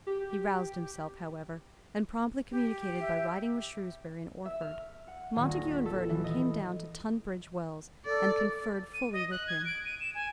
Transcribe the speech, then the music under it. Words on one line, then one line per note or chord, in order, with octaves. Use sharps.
He roused himself, however, and promptly communicated by writing with Shrewsbury and Orford. Montague and Vernon came down to Tunbridge Wells, and conferred fully with him.
G4
G4
E5
E5
F6
F#5
D#1
A#6
B6
A4
E3
D#5
A4 D5
D#7
D#5
F#6
G#6
D7
D#7
E7
G#5